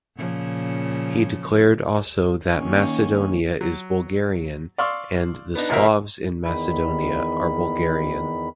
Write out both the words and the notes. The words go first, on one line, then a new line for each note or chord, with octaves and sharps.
He declared also that Macedonia is Bulgarian and the Slavs in Macedonia are Bulgarian.
A#2 C#3 F3
D#3 A#3 C#4
F#3
D5 F5 C6 C#6 E6
B3 D4 D#4
G#1 D2 B2 F3 A#4 E5
E2 D#3 B5